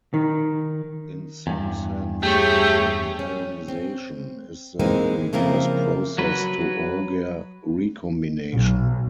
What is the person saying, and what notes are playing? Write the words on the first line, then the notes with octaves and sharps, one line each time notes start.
In some sense, impact ionization is the reverse process to Auger recombination.
D#3
E2 G2
A3 G4 G#4 C#5
C#4
C4
E3 G#3 A#3 C4 D#4
C#3 F3 A#3 C4 E4 A#4
F#3 B4
B1